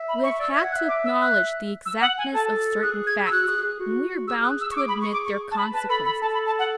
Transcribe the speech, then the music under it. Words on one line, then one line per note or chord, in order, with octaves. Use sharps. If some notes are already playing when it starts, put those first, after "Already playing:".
We have had to acknowledge the exactness of certain facts, and we are bound to admit their consequences.
Already playing: E5
B5
C#6
D5 E6
E5 G#6
F#5
F#6
E5
D6
E6
F#6
E6
F#5
G#5
A4 A5
G#4 F#6
G#6
E6
F#4 F#6
G#4
G#4
F#4
G#4 E6
F#6
E6
C#6
D6
B5
C#6
D6
C#6
A5
B5
B4 A5
A4 B5
A4 B5
A4 A5
B5
A5
F#5